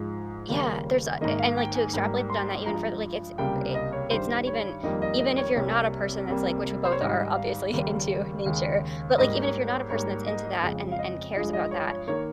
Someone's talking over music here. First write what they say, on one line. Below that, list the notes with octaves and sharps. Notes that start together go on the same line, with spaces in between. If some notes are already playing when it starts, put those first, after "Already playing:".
Yeah, there's, uh eh, and, like, to extrapolate on that even further, like, it's eh, it's not even even if you're not a person that's, like which we both are, obviously, into nature but, like, even if you're not a person that's into that and and cares about that,
Already playing: G#2 F3 G#3
D#2 C#3 G3 A#3
G#2 D#3 A#3 D#5
F5
G5
G#5
G#2 G3 A#3
C6
G2 F3 G#3 A#5
C#2 C3 G3 A#3 G5
D#5
C#5
G2 D#3 G3 C5
C#5
F2 D#3 G3 A#3 D#5
D#5
D#5
C#5
C2 C3 G3 A#3 C#5
C2 C3 G3 A#3
C5
C#5
G#2 D#3 G3 D#5
F5
D#2 C#3 G3 A#3
D#2 C#3 G#3
G#2 G3 A#3 D#5
C#5
C#5
G#2 G3 A#3 C#5
D#5
F2 C#3 G#3
F5
D#5
G2 F3 G#3 D#5
D#5
C#5
C#5
D#3 A#3 C#5